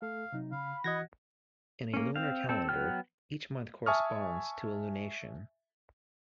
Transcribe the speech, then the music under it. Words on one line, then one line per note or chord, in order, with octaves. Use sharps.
In a lunar calendar, each month corresponds to a lunation.
A3 A4 F5
C3 F#3 D#4
C#3 F5 B5
E3 F#4 D#5 F#5 G#6 A#6
A#3 C#4
C4 F5
C4 A4
F#3 B3 G5 F6
E5 G#5 A5 C#6 D#6 F6